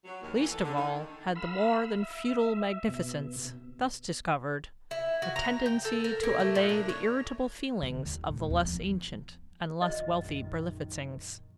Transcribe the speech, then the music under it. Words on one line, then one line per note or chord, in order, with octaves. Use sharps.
Least of all had the more than feudal magnificence, thus discovered, a tendency to allay the irritable feelings of the less ancient and less wealthy Berlifitzings.
F#3
D#2
E3
A4
D3
D#3
F5 B5 E6
E5
B2
E4
F#4
A#5
G5
A4
A#4
A#3
A3
A#2
D4
C#5
D3
D#2
A#2 A3
D#2 B3
F3
A#1 F#2 D#3 D#5